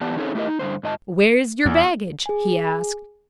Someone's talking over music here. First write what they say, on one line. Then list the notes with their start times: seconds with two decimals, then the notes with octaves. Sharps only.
"Where's yer baggage?" he asked.
0.01 E2 E3 B3 G4 D5 A5
0.17 C4 C#4 D#4 G#4 A4 C#5
0.35 A3 E4 G4 A#4 D#5
0.47 D#4
0.59 G2 A#2 D3 C5
0.83 G#2 D#5 A5
1.65 E2
2.26 G#4 G#5